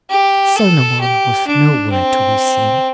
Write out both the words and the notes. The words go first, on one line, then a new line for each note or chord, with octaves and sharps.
Solomon was nowhere to be seen.
G4
A4
G4
D4
C4